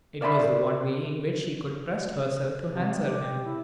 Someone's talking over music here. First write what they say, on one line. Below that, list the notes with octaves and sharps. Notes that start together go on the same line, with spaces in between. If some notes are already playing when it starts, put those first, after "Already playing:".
It was the one way in which she could trust herself to answer him.
A#4 D5 E5 A5 B5 C6
C3
G4
E4